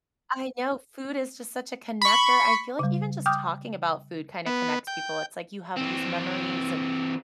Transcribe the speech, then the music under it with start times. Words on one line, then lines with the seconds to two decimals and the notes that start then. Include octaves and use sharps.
I know food is just such a connector, I feel like even just talking about food kinda connects people, it's like, you have these memories of,
2.02 B5 C#6
2.79 C#3 G3
3.26 G5 D6 D#6 F6 G6
4.47 B3
4.87 G5
5.77 E3 C4